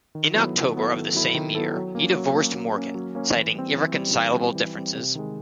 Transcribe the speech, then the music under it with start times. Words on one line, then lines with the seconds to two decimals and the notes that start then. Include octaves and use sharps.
In October of the same year, he divorced Morgan, citing irreconcilable differences.
0.15 D#3
0.35 F#3 B3 E4 A4
0.55 D#3
0.75 F#3 B3 E4 A4
0.95 D#3
1.15 F#3 B3 E4 A4
1.35 D#3
1.55 F#3 B3 E4 A4
1.75 F#3
1.95 A#3 C#4
2.15 F#3
2.34 A#3 C#4
2.55 F#3
2.75 A#3 C#4
2.95 F#3
3.15 A#3 C#4
3.35 E3
3.55 G3 C4
3.75 E3
3.95 G3 C4
4.15 E3
4.35 G3 C4
4.55 E3
4.75 G3 C4
4.95 C3
5.15 D#3 G#3